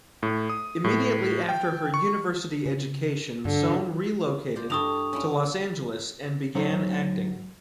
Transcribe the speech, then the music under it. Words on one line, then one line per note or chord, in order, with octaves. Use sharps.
Immediately after her university education Sohn relocated to Los Angeles and began acting.
A2
D#6
A2
G5
C#6
C#3
G2 D3
C5 D5 F5
G2 E4 A4 C#6 D#6 F7
C#4 E4 F4
D2 F#3 D#4 C5 C#5